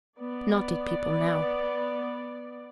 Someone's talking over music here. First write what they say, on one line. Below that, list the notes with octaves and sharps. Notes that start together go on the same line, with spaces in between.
"Not eat people now."
B3 D5